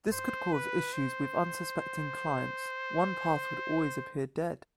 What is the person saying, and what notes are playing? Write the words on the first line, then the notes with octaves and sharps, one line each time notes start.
This could cause issues with unsuspecting clients, one path would always appear dead.
C5
B4
C5